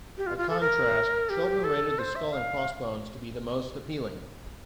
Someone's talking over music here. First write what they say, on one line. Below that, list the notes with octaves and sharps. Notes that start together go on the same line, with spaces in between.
By contrast, children rated the skull-and-crossbones to be the most appealing.
G4
F4
F4
A4
A#4
G4
A4
C5
E5
F5